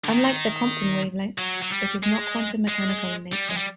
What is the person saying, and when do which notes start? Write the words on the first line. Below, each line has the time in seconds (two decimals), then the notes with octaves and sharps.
Unlike the Compton wavelength, it is not quantum-mechanical in nature.
0.05 D3
0.10 D#3
1.38 F#3
1.62 F#3
1.70 G3
2.03 G#3
2.68 G#3
3.33 G3
3.50 G#3
3.57 G3